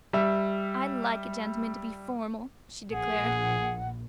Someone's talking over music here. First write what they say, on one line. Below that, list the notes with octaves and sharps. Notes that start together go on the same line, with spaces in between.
"I like a gentleman to be formal!" she declared.
G3 E5
A#1 G#4 F#5